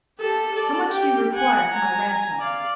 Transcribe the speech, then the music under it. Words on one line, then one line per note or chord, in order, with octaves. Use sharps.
"How much do you require for my ransom?"
G4 A4
A4 D5
G4 G5
F#5 G#5
G#5 A#5
D5 F5